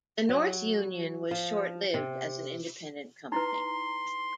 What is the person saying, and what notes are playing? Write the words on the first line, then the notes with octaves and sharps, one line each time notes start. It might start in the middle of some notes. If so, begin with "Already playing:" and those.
The North Union was short-lived as an independent company.
F#3
F3
C3
D#4 E4 B4 A#5 C6